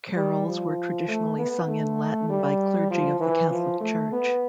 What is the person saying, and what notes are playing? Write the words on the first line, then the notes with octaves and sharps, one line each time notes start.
Carols were traditionally sung in Latin by clergy of the Catholic church.
G3
F3
A3
B3
A3
G3
F3
E3
F3
A3
B3